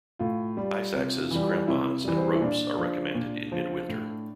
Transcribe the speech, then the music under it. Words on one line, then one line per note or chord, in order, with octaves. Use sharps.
Ice axes, crampons and ropes are recommended in midwinter.
A2 F4
G3
C3
E3 G3
C3 E4
E3 G3
C4
E4
A#2 D4
F3
A#2
F3
A2